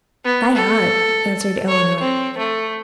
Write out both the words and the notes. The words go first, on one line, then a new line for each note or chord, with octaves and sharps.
"By heart," answered Eleanor.
B3
A4
C#5
C4
A3